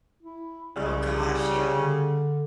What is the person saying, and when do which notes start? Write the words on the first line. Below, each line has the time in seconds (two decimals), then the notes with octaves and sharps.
Oh gosh, yeah.
0.23 E4
0.76 C2 C#3 G3
1.73 D3